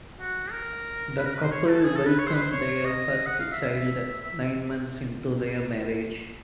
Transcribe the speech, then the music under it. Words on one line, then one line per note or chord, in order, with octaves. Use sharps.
The couple welcomed their first child nine months into their marriage.
F#4
A#4
B4
A#4
B4
C5
C#5
A4
G#4
A4
B4
C#5
C5
B4
C5
C#5
D#5
F#5
F5
E5
E5